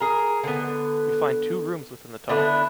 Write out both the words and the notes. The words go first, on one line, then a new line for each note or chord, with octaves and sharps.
We find two rooms within the tunnel.
G#4 A#4
D3 B3
D3 B3 D4 E4